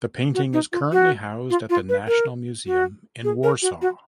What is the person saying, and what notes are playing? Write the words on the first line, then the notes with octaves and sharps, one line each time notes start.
The painting is currently housed at the National Museum in Warsaw.
F#4
D#4
F4
F#4
F4
F4
B4
A#4
F#4
G#4
A#4
F#4
F#4